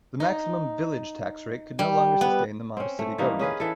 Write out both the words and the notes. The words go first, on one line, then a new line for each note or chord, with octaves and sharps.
The maximum "Village" tax rate could no longer sustain the modest city government.
D#4
G3
B3
C4 C#4
A3
E3 G3 A#3 D#4
C#4 G#4 B4 F5
E3 A4